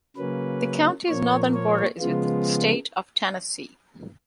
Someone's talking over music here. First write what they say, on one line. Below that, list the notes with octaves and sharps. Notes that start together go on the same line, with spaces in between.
The county's northern border is with the State of Tennessee.
C#3 F#3 A#3 C#4 B4
A#2 F3 A#3 C#5
C#5
C#3 F3 G#3 B3 F4